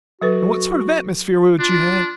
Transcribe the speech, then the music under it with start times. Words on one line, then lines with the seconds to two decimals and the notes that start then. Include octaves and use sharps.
And what sort of atmosphere would you have?
0.21 F#3 F#4 A4 B4
1.59 D4 F4